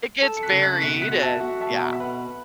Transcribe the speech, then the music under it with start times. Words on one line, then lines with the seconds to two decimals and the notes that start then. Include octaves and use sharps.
It gets buried and yeah.
0.22 A4
0.37 C#7
0.43 F#6 B6
0.52 C#3
0.62 F#6 B6
0.82 B2 F#6 B6
0.94 C#7
1.02 F#6 B6
1.11 F#4
1.22 E5 A5
1.41 F#4 F#5
1.61 E5 A5
1.70 B2
1.81 F#5
1.92 E5
2.00 B4 F#5